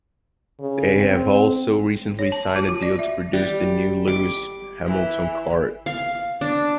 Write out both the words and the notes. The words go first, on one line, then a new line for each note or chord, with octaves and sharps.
They have also recently signed a deal to produce the new Lewis Hamilton kart.
C#3
C4
C#5
A5
F#4
F4
D5
E5
G3
D6
E3
F5
D4